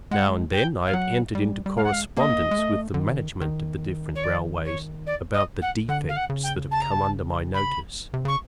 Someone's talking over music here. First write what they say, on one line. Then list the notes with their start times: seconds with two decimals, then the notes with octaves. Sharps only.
Now and then I have entered into correspondence with the management of the different railways about the defects that have come under my notice.
0.11 G#3 F#5
0.19 G3
0.26 G#3
0.53 G5
0.86 F5
0.93 F#3 F#5
1.35 G3
1.66 G3
1.76 G#3 F5
1.83 F#5
1.92 F5
2.17 A#3 D#5
2.51 G#3
2.59 A3
2.94 D3
2.99 D#3
3.41 D#3
4.15 C#5
4.23 D5
4.65 C#5
5.06 D5
5.33 D#5
5.61 F#5
5.88 D3 F#5
6.08 F5
6.16 F#5
6.30 C#3
6.43 G5
6.71 A5
6.81 A#5
6.91 A5
7.54 B5
8.14 C3
8.25 C#3 C#6